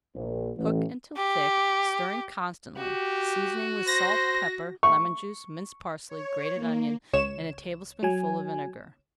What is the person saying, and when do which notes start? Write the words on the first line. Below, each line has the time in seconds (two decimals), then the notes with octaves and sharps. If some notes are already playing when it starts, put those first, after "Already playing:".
Cook until thick, stirring constantly, seasoning with salt, pepper, lemon-juice, minced parsley, grated onion, and a tablespoonful of vinegar.
0.15 A#1
0.58 A1
1.17 G4
2.77 F#4 G4
3.87 C5 A#6
4.83 C#6
6.08 C#5
6.55 A#3
7.13 C#2 C#5 E7
8.03 F#3 G#5